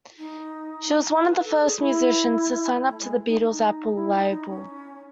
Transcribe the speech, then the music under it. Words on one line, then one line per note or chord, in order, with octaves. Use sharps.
She was one of the first musicians to sign to The Beatles' Apple label.
D#4
B4
A4
G#4
E4
A3
G#3
D#4
D#4
E4
D#4
D#4
C#4